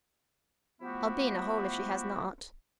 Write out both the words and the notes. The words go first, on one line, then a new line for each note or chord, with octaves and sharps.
I'll be in a hole if she has not.
F3 A3 B3 E4 F#4 G4